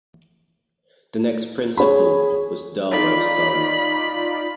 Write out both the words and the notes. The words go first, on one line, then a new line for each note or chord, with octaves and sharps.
The next principal was Darwell Stone.
G#4 C#5 B5
D#4 F4 D5 B5